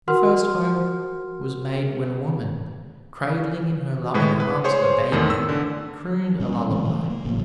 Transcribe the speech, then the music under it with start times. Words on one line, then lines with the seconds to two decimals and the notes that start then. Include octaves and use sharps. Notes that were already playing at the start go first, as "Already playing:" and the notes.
The first home was made when a woman, cradling in her loving arms a baby, crooned a lullaby.
0.08 F#4 A#4 F#5 C6 F6
4.14 A2 G#3 B4
4.40 B4
4.64 G#4 C5 C#5 C6
5.12 E2 D#3 A3
5.30 E6
5.49 D3
6.40 A#2 G3 B3 C#4
6.70 C#3 E3 G#3 C4
6.85 E3 A3
7.09 A#3
7.25 G#1 A2 C#3 F#3